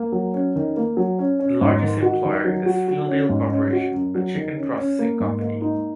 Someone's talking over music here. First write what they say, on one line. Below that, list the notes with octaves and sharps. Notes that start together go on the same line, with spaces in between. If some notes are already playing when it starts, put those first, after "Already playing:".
The largest employer is Fieldale Corporation, a chicken processing company.
Already playing: A#3
F#3
C#4
D#3
A#3
F#3
C#4
C#4
G#2
D#3
F#4
D#3
F#3
F#4
F#4
C#4
G#2
C#4
F#4
F#2
F#3
D#3
C#4
C#4
A#3
G#2
A#3
D#4